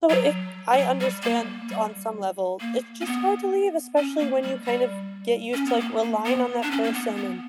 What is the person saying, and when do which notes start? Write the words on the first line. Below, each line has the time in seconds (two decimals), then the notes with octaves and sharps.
So, it I understand on some level, it's just hard to leave, especially when you kind of get used to, like, relying on that person and
0.10 F#3
0.73 G3
0.78 F#3
1.01 G3
1.23 A#3
1.69 G3
2.61 A#3
3.01 C#4
3.06 B3
3.97 C#4
4.20 A#3
4.43 G3
4.66 G3
5.54 C#4
5.67 B3
5.80 A#3
6.03 A#3
6.26 B3
6.63 D4
6.71 C#4
6.84 A#3
6.94 B3
7.17 B3